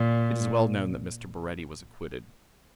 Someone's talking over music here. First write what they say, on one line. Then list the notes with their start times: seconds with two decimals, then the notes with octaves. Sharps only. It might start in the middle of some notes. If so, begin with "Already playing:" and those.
It is well known that Mr. Baretti was acquitted.
Already playing: A#2